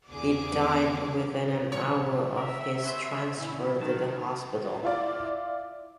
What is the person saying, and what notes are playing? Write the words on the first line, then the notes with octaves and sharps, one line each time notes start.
He died within an hour of his transfer to the hospital.
E2 D3 G#4 D6
A#2 D#3 F3 C#5
A#4 E5
C#4 B4 C5
A#2 D3 E3 C#4 E4
D#3 F#3 F#4 A5
E4 F4 D5